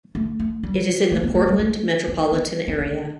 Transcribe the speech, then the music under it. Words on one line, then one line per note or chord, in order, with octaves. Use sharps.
It is in the Portland metropolitan area.
A3
A3
G3
A3
B3
A3
G3
A3
C4
B3
C4
C4
D4